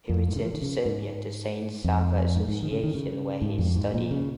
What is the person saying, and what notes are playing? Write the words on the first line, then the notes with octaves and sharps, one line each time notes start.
He returned to Serbia, to St Sava association, where he his studying.
F2
G#2
C#3
F3
D#3
C#3
G#2
F2
G#2
G#2
D#3
C#3
D#3
C#3
G#2
F2
G#2
A#2
C#3